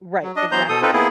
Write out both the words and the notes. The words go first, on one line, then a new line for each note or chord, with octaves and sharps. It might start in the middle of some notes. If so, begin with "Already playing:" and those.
Right, exactly.
F#3
D4 D#5
E3 F#3 B3 C5 A#5 G6
B2 A4 D#6
C4 D#4 F4 A4 B4
A#3 B3 E4 G#4